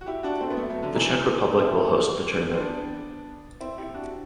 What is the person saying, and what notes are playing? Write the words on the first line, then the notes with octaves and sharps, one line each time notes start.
The Czech Republic will host the tournament.
F#4
E4 G4
D4 F#4
A3 C4
B3
F#3 A3
F#3 A3
D3 F#3
C3 E3
A3 C4
C4
B3 D4
C4 E4
E4 G4
D4 F#4